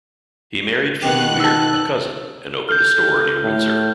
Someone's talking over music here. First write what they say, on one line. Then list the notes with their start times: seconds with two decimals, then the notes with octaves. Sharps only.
He married Phoebe Wier, a cousin, and opened a store near Windsor.
1.02 B2 D#3 G4 F#6
1.40 D#4 A5 E6
2.69 A4 F6 G6
3.44 A2